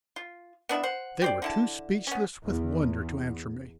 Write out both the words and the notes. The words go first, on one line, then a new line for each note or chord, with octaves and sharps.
They were too speechless with wonder to answer me.
F4
B3 D4 E4 E5
C5 F#5
G4 C5 D5
D3 E4 A5
B3 C#4
E2